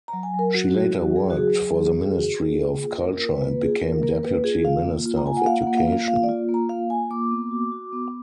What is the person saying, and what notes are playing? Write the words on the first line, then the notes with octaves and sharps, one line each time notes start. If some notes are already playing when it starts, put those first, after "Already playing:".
She later worked for the Ministry of Culture and became Deputy Minister of Education.
A#5
F#3
G#5
F#3
A#4
F#3 F#4
F#3 F#4
F#3 F#4
F#3 G#4
F#4
F#3 G#4
F#3 G#4
F#3
F#4
F#4
F4
A#3
F4
A#3 A#4
F4
B4
A#3
F4 G#4
A#3 A#4
A#3 A#4
A#3 B4
F4 G#4
F4 F5
A#3
F4
A#5
F4 G#5
F#5
A#3 F5
A#3 F#5
F5
F4 F5
A#3 F5
D5
F4
A#3
A#5
A#3 F5
F4 G#5
A#3 D6
B3
F#4
F#4
B3